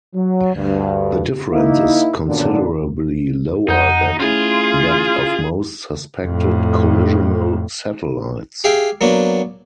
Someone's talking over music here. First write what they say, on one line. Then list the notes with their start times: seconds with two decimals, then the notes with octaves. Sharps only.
The difference is considerably lower than that of most suspected collisional satellites.
0.14 F#3
0.55 D2 G2
1.51 A#3 D#4 E4
2.27 F#2 A#2 D3 F#3 B3 D4
3.69 F2 D#4 F#5 G6
4.20 A3 C#4 E4 F4 G#4
6.25 F2 A2
8.64 G4 G#4 E5 F5 G5
9.01 F#3 A#3 B3 D4 F#4